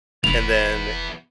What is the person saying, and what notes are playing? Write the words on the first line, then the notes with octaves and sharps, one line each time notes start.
and then, eh
F1 B3 E4 F7